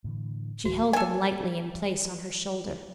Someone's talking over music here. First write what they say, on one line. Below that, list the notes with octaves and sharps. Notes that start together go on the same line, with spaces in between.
She held them lightly in place on her shoulder.
A2 D3 E3
D1 E3 A#3 F#4
A4 G#5